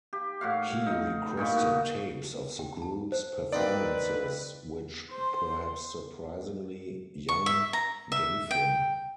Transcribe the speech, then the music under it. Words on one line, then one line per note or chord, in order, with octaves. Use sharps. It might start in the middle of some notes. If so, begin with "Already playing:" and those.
He requested tapes of the group's performances which, perhaps surprisingly, Young gave him.
G4
A2 F#4 F5
D#4
A#2 D#4 C#5 B5
F#4
G5
A5
C5
A#3 C4 D#4 B4 D5
C5 C6
C#6
E5
A#5
E5
G5